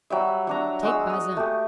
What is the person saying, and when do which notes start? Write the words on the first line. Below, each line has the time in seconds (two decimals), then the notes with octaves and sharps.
"Take Bazin."
0.10 F#3 G3 E5
0.47 F#3 D4 A#5
0.83 G#3 F#4 E6
1.10 D#6
1.37 A3 G4